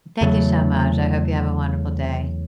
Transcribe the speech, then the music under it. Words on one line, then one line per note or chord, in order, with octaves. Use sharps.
Thank you so much, I hope you have a wonderful day,
E2 C#3 F#3 A3